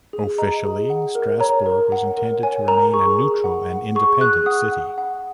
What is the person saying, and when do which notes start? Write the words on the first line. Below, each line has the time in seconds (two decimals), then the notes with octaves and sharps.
Officially, Strasbourg was intended to remain a neutral and independent city.
0.13 G#4
0.38 D#5 A#5
0.65 G#4
0.90 F#5
1.15 A#4
1.40 C#5 A#5
1.66 A#4
1.92 F#5
2.17 A#4
2.43 C#5 G#5
2.68 A#4 A#5
2.94 G#4 C#6
3.19 G#4
3.44 F#5
3.70 F#5
3.95 G#4 C#6
4.21 G#4 F#6
4.46 F#5 D#6
4.72 F#5
4.98 F#5